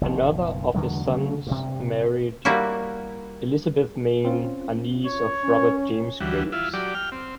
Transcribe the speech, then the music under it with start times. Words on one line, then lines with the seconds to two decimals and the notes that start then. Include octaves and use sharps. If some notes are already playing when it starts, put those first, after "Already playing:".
Another of his sons married Elizabeth Mayne, a niece of Robert James Graves.
0.01 F#1 B1 B2 F3
0.74 E2 D3 F#3 G#3
1.05 C#3 F#3 G3 A3
1.47 G2 C3
2.45 G3 A#3 E4 F#4
4.25 C4 C#4 F4
5.06 C#5
5.44 C#4
6.20 D2 E3 G3 F#4
6.52 E4 F4
6.74 F#3 G4 D5
6.95 G5 F6
7.12 C4